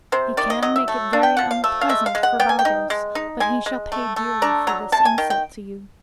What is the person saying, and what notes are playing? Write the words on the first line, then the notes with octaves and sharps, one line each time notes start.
He can make it very unpleasant for Baldos, but he shall pay dearly for this insult to you.
C3 C5
D#3 D5
D#5
F#3 D#5
E5
A3
D4
G5
F3 F#5
F5
A3 E5
F5
G#3 E5
F5
G#3
F#5
B3 G5
G#5
G5
D#4
G#3
D#4
G#3 G#5
G#3
A3
A3
D4 A#5
F#3 A#5
C3 A5
G#5
D#3 G5
G5